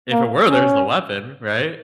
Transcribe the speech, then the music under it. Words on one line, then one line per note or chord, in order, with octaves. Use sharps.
"if it were, there's the weapon," right?
A#3
C#4